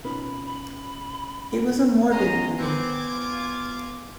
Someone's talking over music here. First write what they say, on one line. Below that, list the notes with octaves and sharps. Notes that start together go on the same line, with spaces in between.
It was a morbid movie.
B2 C#4 D#4 F4 B4 B5
B5
B3 C#4 D#4 C5 D#5 G#5 A#5 C6
C4 B4 D6 G#6
F4